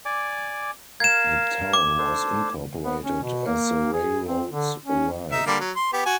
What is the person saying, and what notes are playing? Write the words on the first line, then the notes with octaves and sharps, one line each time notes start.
The town was incorporated as the railroads arrived.
D5 G#5 D6
A#4 F5 G#6 E7
D6
D4 A4 C5
B3
C#4
B2
A#3
G#4
C4
D3
C#4
D#4 E5
D3 G3 A#3
F#3
C6
B3 G4
F#4 G#5